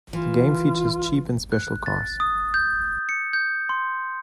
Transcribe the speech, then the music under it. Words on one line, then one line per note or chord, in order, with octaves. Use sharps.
The game features cheap and special cars.
E3 F4
F#6
A6
D#6
G6
C#7
G6
C6